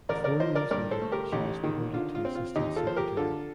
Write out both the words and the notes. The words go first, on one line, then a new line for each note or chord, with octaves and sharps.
Four years later she was promoted to assistant secretary.
A1 A#4 D5
A#4 D5
F3 C5 D#5
A#4 D5
G2 A#4 D5
A4 C5
A3
G4 A#4
A1 D#4 G4
D#3
D3 F4
F4
C4
F4
D#2 D#4 G4
F4 A4
F3 C5
G4 A#4
D3 F4 A4